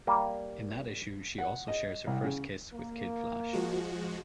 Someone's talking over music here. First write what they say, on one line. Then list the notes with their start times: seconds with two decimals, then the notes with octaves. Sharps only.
In that issue she also shares her first kiss with Kid Flash.
0.07 G3 A#3
1.38 F#5
1.68 D#5
2.07 C2
2.24 C#3
2.73 A#3
3.53 F3 G#3 F#4